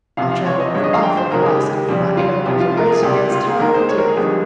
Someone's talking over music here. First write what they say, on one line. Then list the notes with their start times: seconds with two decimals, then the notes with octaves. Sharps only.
I traveled with awful velocity for my errand was a race against time with death.
0.17 C#2 C3 F3 F5
0.32 F5
0.46 C#5
0.60 D#5
0.74 G1 G2 F3 G#3 C#5
0.84 D#5
0.93 F5
1.03 G5
1.17 C5
1.31 D#2 C#3 G#3 A#4
1.41 G#4
1.50 G4
1.61 G4
1.74 G4
1.89 F2 C#3 G3 G4
2.03 G4
2.17 F4
2.46 C2 C3 F3 G4
2.60 F4
2.77 A#4
2.90 G#4
3.03 C#2 C3 G3 G4
3.31 F4
3.46 G#4
3.60 D#2 D#3 G#3 A#4
3.74 C5
3.89 C#5
3.98 A#4
4.08 G#4
4.17 G1 G2 F3 G#3 G4